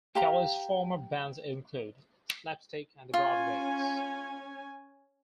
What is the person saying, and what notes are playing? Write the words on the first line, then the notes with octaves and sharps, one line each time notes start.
Kelly's former bands include Slapstick and The Broadways.
G4 F5 A#5
C#4 F4 G#5